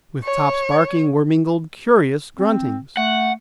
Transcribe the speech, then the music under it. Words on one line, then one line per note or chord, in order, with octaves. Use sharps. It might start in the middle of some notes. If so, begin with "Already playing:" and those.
With Top's barking were mingled curious gruntings.
C#5
C4
A3 F#5